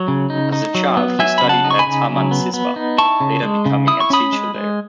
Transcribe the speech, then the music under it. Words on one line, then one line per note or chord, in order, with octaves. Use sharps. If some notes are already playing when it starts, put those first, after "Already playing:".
As a child, he studied at Taman Siswa, later becoming a teacher there.
Already playing: F#3 C#5
C#3
D#4
D#4
F#3
B3
F#3 E5 G#5
C#3 B5
F#5 A5
D#4
C#6
G#5 B5
C#3
F#3
B3
B3
D#4
E4 A5 C#6
C#3
G#3
C#3
E4 D#6
C#6
C#4 B5 D#6
G#3
G#3